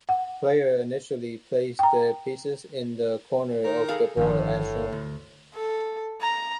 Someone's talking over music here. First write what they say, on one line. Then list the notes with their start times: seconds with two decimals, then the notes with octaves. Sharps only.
Players initially place their pieces in the corners of the board as shown.
0.09 F#5
1.79 G5 A#5
3.64 D#3 A#4
3.89 G#4 A4 F5
4.17 G1 A2 D3 D#3 F3
4.92 D2
5.54 A4
6.21 A#5